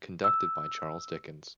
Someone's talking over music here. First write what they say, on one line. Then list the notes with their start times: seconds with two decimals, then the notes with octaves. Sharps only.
Conducted by Charles Dickens.
0.24 E6